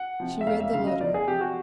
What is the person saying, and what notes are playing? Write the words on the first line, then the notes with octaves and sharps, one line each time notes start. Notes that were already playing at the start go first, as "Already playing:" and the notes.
She read the letter.
Already playing: F#5
C3 F3
E5
E1 F5
E5
D2 C#3 F#3 F5
D#5
E2 D5
G#4
C3 F3 G4
F#4